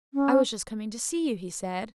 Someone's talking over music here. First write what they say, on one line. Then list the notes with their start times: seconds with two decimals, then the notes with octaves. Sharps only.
"I was just coming to see you," he said.
0.13 C#4